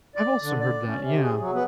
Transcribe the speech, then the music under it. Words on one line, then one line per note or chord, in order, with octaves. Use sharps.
I've also heard that, yeah.
D5
D3
D5
C#4
C3
G#4
F#3
B3